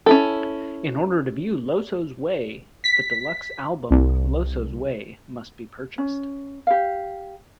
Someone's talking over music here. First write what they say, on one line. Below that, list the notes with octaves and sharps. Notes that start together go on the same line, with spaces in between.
In order to view "Loso's Way", the deluxe album "Loso's Way" must be purchased.
C#4 E4 A4
B6
C2
C#4
G4 F5